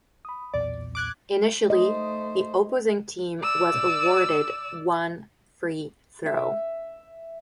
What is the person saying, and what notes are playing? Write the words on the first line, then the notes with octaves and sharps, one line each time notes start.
Initially, the opposing team was awarded one free throw.
B5 D#6
B1 E2 A#2 D5
D6 F#6 G#6
A3 C5 D#5
D5 E6
E5